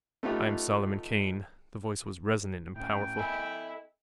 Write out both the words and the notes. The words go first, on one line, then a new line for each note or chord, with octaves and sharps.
"I am Solomon Kane." The voice was resonant and powerful.
A3 B3 C#4 D#4 F4 G4
A2 C#4 G5
E4 A4 D#5 G#5